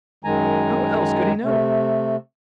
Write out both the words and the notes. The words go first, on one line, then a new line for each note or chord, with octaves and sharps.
How else could he know?
F#2 D#3 G#3 G#5 A#5
C3 A3